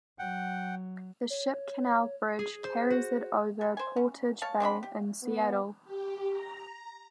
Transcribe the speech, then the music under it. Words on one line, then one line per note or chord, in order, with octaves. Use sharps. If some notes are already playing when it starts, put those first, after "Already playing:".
The Ship Canal Bridge carries it over Portage Bay in Seattle.
F#3 F#5 G5
C#5
G#4
C5
F#4
G3
C5 G#5
C#4
C#5 F5 A5
C4 D4 D#5 B5
G4
B3
G4
A#5